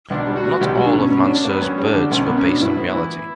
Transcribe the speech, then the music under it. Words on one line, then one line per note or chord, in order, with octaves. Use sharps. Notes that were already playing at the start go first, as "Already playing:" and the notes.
Not all of Mansur's birds were based on reality.
B1 D4
G3
F#4
A#2
B1 G4
F#3 F#4
D4
B2 C#4
B2 C#4
D4
C#4
D4
A#3 B3
F#2 C#4
G3
D4
D3
B1 C#4
A#3 B3
C#4
B2 D4
G2 E4
B3
E3